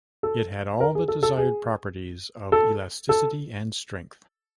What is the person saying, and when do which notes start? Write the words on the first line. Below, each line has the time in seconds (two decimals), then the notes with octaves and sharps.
It had all the desired properties of elasticity and strength.
0.23 A4
0.80 A#4
0.95 G#4
1.08 A4
1.23 A4
1.38 G#4
2.52 A4
3.09 A4